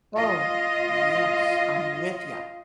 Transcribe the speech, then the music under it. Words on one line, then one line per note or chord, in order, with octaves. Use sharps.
Oh, yes, I'm with ya.
F4 D#5